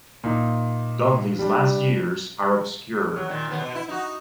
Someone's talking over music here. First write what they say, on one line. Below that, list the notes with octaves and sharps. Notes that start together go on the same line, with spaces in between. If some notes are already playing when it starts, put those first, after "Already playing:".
Dudley's last years are obscure.
A#2 D#4
G3 D4
F#3
A#2 D#3
D#2 B3
B2
E4
D#4 F#4